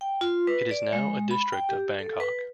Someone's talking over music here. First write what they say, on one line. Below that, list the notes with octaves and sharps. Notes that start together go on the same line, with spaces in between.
It is now a district of Bangkok.
G5
F4
B4
D5
G#3
B5
G5
G4
A4
B4